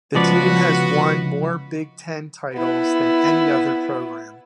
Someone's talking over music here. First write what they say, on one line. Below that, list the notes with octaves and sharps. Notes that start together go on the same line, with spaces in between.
The team has won more Big Ten titles than any other program.
C#2 F3 B3 F#4 D5
B3 E4